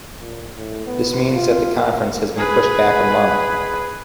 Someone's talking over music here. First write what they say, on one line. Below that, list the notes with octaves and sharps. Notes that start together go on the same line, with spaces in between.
This means that the conference has been pushed back a month.
A#2
A2
B3
F4
A#3
G#4 B4